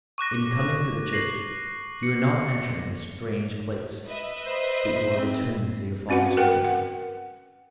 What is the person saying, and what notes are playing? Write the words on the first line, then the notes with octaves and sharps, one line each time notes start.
In coming to the Church, you are not entering a strange place, but you are returning to your Father's home.
C#6 D6 F#6 A#6
A#6 C7 F#7
C#7
B4 D#5 E5
C5
C4
C4 C#4 F#4 B4 F#5
A#4 B4 F#5 G5
F#5